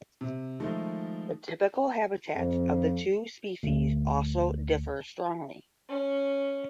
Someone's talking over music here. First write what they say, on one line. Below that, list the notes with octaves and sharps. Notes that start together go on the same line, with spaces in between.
The typical habitats of the two species also differ strongly.
C3
D#3 F3 G#3 A3 D#4
F2
D2
C#4